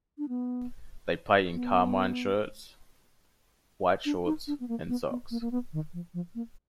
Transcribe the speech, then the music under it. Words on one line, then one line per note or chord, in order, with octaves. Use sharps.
They play in carmine shirts, white shorts and socks.
D4
B3
B3
D4
D#4
D4
B3
A#3
B3
B3
A#3
A#3
B3
D#3
F3
F3
A#3